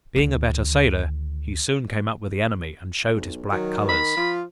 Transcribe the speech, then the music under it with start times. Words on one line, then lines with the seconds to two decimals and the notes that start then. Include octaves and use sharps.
Being a better sailer, he soon came up with the enemy, and showed his black colors.
0.16 D2 D#3
3.15 B1
3.52 D#3 F#3
3.89 B5
4.17 F3 F4